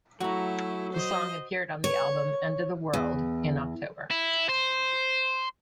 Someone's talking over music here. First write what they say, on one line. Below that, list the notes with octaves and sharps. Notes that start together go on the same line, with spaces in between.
The song appeared on the album "End of the World" in October.
F#3 A3 E4 F#4 A#5
C5 D#5
C#5
E2
E4
C5